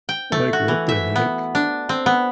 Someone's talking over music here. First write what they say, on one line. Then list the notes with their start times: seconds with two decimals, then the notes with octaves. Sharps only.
like, what the heck?
0.09 G5
0.32 A3
0.53 F#4
0.68 E3
0.89 E5
1.16 B3
1.55 D4
1.89 C4
2.06 B3